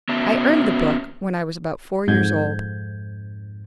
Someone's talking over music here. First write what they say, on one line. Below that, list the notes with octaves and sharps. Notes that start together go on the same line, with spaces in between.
I earned the book when I was about four years old.
B3 C#4 F#4 E5 A5
F2 G#2 G6 G#6